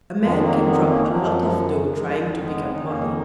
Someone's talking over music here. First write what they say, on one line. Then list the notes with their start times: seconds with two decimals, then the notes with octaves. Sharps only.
A man can drop a lot of dough trying to pick up money.
0.19 F2 D#3 F3 G#3
0.41 F#3 A#3
0.63 G#3 B3
0.80 B3
0.85 A#3 C#4
1.08 F#2 F3 F#3
1.26 F#3
1.37 F3
1.95 F2 D#3 F3 G#3
2.39 G#3 B3
2.71 D#4
2.83 F2 D#3 A#3 C#4